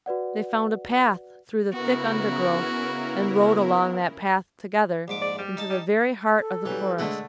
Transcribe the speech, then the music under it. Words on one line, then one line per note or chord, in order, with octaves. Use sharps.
They found a path through the thick undergrowth, and rode along that path together into the very heart of the forest.
F#4 B4 D5 F#5
C#3 B3 E4 F#4 A#4
A#1 G#2 D6
D5
G3
D#4 A5
G3
A4
E3 F#3 G3
D3 G#3 A3 D4 E4